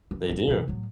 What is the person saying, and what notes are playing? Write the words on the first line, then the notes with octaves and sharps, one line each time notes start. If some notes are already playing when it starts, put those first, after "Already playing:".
They do.
E3
E1 C4
B2 E3
A2 F#3